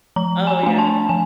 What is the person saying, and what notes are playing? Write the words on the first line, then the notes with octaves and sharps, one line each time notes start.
Oh, yeah.
F3 A#5
G#5
A3 D4 G#5
A5
F3 G#5